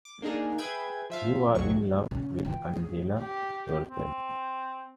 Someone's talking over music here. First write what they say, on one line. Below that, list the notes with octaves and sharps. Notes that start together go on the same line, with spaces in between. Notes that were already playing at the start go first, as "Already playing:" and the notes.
You're in love with Angela yourself.
D6
A#3 D4 D#4 G#4 A#4
G#4 B4 E5 G5 G#6
F3 E5 F5
B1 F2 F#3 C#6
C#3 C#4
E3 F3 G5
G#4
G4
C4